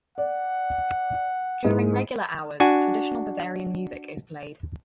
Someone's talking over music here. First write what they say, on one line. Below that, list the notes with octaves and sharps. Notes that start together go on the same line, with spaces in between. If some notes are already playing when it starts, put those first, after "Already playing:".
During regular hours traditional Bavarian music is played.
D5 F#5
G#2 G#3 E4
D4 F#4 G#5